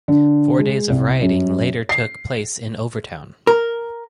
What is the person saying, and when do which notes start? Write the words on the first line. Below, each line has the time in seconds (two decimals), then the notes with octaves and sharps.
Four days of rioting later took place in Overtown.
0.08 D3
0.58 G#3
0.89 C2
1.21 F#2
1.89 C7
3.47 A#4